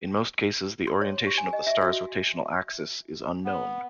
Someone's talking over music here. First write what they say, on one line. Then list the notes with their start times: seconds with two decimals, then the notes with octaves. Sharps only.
In most cases the orientation of the star's rotational axis is unknown.
0.87 C6
1.01 C#5
1.26 G4
1.38 G#5
1.53 D#5
1.67 E5
1.82 F#4
3.45 B3